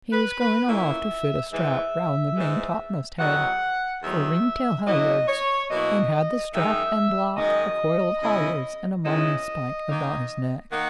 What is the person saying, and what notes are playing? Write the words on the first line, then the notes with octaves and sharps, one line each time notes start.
He was going aloft to fit a strap round the main top-mast-head, for ringtail halyards, and had the strap and block, a coil of halyards and a marline-spike about his neck.
B4
B4
A#2 A#3 C#4 E4 E5
G#2 E3 G#3 E5
G#2 E3 G#3
E2 D#3 F#3 F#5
E2 D#3 F#3 E5
B2 F#3 A#3 E4 D#5
C#5
B2 F#3 A#3 E4 D#5
F#2 D#3 G#3 D#4 E5
F#2 D#3 G#3 D#4 D#5
E2 C#3 G#3 C#4 E4
E2 C#3 G#3 C#4 E4 D#5
D#3 A#3 D#4
D#3 A#3 D#4 F#5